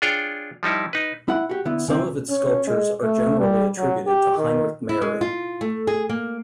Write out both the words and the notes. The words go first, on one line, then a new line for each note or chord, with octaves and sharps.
Some of its sculptures are generally attributed to Heinrich Meyring.
D4 F4 G#4 C#5 G5
F3 G3 D#4 E4
D#4 B4
E4 F#5
F#4 G4
D3 B3 E4
C#3 C4 E4
C#4
G#3
A3
G3
F#3
G4
D#3
E4
G#3
F4
A3
G#4
A#3